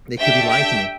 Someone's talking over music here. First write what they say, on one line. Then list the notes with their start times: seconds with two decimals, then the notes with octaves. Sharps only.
They could be lying to me.
0.20 A3 D4 G4 E5 G5
0.49 E5 G5